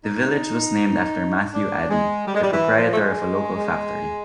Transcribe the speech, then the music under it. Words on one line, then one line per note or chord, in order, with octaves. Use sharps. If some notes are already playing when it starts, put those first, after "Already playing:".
The village was named after Matthew Addy, the proprietor of a local factory.
D#4
D4
G#3
G3
G#3
G3
E3
F3
A3
G#3